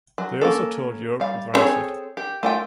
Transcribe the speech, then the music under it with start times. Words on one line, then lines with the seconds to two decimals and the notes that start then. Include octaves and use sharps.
They also toured Europe with Rancid.
0.18 F#3
0.41 A#3 C#4 A4
1.20 G3 F5
1.54 B3 C4 G#4 A4 C#5
2.17 G4
2.43 A3 F4 G5